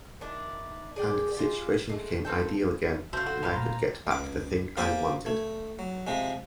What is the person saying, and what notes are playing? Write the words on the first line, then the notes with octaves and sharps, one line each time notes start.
And the situation became ideal again, and I could get back the thing I wanted.
D#3 D4 E4
G#4 D5 G5
G#3 F4 G4
G#3 A3
A#3 C4 A4 G5
C#3 A3 F#4 C5 F5
F#4 A4
G#1 D3 B3 F4
A#2 A3 A#5
C#2 D6
A#3 G4 C5 D5 G#5
A3
F#3
C3 F3 G#3